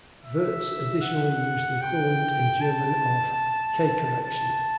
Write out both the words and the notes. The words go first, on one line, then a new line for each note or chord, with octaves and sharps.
Wirtz additionally used the equivalent in German of "K correction".
E5
F#5
G5
A5
A5